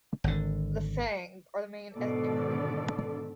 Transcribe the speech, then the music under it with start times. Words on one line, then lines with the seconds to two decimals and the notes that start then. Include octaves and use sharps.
The Fang are the main ethnic group.
0.24 G#1 D3
1.96 G#2 B2 D3 D#3 A4 D5